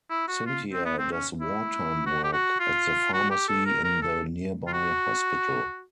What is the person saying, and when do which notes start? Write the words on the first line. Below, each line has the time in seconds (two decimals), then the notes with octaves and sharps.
Cynthia does war-time work at the pharmacy in the nearby hospital.
0.10 E4
0.28 F#4
0.46 F4
0.73 C4
0.85 B3
0.98 C4
1.12 C#4
1.40 E4
2.06 F#4
2.24 G4
2.32 F#4
2.60 F4
3.13 F#4
3.30 G4
3.48 A4
3.65 A#4
3.84 A#4
4.02 A4
4.67 F4
4.73 F#4